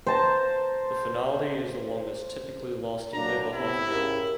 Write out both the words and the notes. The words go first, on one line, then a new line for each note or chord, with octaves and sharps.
The finale is the longest, typically lasting over half an hour.
C5 A5 A#5
F#3 A#3 D4 A#5
C3 B3 E4
C#3 G4 A#4